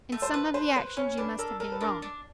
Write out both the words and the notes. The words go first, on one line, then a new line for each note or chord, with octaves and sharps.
In some of the actions you must have been wrong.
A3
C5
B4
B4 C5
B4 C5
C#4 C#5
D4 B4
A4 A#4
A4 A#4
B4
D4 A#4
D4